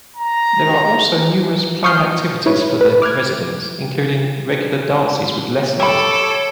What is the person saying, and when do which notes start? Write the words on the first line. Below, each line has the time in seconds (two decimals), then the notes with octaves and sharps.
There are also numerous planned activities for the residents, including regular dances with lessons.
0.16 A#5
1.84 C#6 D#6 F6 G6 C7
2.46 E4 B4 C#5
2.81 B4
3.02 D6 F6 F#6 G#6
5.80 G4 A4 C#5 B5 D6 E6